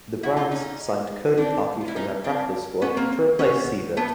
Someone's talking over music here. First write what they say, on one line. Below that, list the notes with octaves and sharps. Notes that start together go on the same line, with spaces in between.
The Browns signed Cody Parkey from their practice squad to replace Seibert.
E4 F#4
D#4 F4
C#4 D#4
C4 D4
F4
E4
C#4 D#4
C4 D4
B3 C#4
A#3 C4
B3 C#4
A3 B3